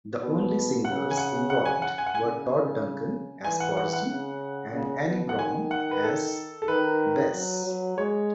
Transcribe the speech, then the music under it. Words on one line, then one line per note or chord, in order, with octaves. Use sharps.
The only singers involved were Todd Duncan as Porgy and Anne Brown as Bess.
B2
C#3 F#5
G#5
F#5
F#5
G#5
F#5
G#5
F#5
C#3 G#5
E3 G#5
F#5
F#5
F#5
C#3
C#3
B2
F#5
D#3 G#5
F#5
B4
A4
A4
D#3 B4
F#3
F#3
G#3 C#5